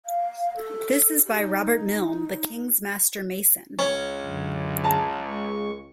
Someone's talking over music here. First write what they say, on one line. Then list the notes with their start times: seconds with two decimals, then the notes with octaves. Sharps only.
This is by Robert Mylne the King's Master Mason.
0.06 F5
0.56 A4
1.26 G4
1.38 D#4
3.79 C#2 C#4
4.22 F#2 D3
4.84 G#4 A5 A#5
5.27 G#3 C#6